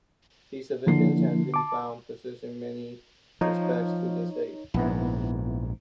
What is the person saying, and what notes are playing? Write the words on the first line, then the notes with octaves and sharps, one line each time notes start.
These divisions have been found to persist in many respects to this day.
D3 F3 A#3 E4 C7
A5 D6
F3 D#4 C#5
A#1 G#2 B3 E4